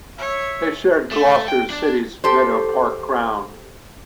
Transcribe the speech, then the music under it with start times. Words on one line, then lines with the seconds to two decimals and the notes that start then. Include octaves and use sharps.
They shared Gloucester City's Meadow Park ground.
0.18 C#5 E5
1.11 A3
1.48 G5
1.70 D4
2.24 G4 A4 C5